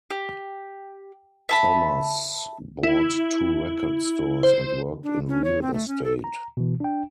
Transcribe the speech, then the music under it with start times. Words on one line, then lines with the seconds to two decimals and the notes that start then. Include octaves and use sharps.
Thomas bought two record stores and worked in real estate.
0.10 G4
1.49 E5 A5 B5
2.83 E4
4.43 C5
5.04 D4
5.29 C#4
5.44 C#5
5.62 C4
5.73 A3
5.88 C#4
6.04 A4
6.24 A#5
6.57 B2 E3
6.80 D4 G5